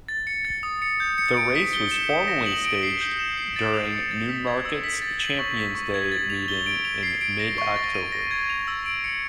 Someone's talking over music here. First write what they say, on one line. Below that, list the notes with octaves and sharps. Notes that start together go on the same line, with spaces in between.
The race was formerly staged during Newmarket's Champions' Day meeting in mid-October.
A6
C#7
A6
D#6
C#7
G6
C#7
D7
B6
G7
E7
D#6
A#6
F#7
D7
C7
G6
E7
C7
A6
F7
C#7
A6
B6
G#6
E6
B6
A6
F#7
C#6
B6
C#6
G#6
A6
F7
G7
D7
F7
C7
D7
A#6
C#6
A6
D#7
A#6
G#6
F7
E6
D7
C#7